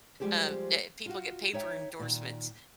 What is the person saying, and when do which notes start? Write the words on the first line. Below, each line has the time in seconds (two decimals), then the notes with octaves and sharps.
um, that people get paper endorsements.
0.20 F3 G3 G#3 G4 G#4 C5
1.06 F4 F#4
1.53 D#4 C#5 E5 G5
1.99 A#2 D#3